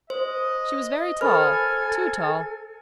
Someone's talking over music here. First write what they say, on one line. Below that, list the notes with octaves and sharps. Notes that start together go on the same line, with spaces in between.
She was very tall--too tall.
C5 D#5
A4 A#4 C5 G#5 B5 F6